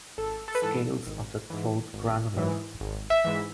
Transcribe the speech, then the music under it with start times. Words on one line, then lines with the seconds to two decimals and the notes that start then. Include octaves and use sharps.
Scales of the throat granular.
0.18 G#1 A4
0.48 A4
0.55 B4
0.62 G#2 E3 A4
1.06 G#1
1.50 G#2 E3
1.93 G#1
2.37 G#2 E3
2.80 G#1
3.10 E5
3.25 G#2 E3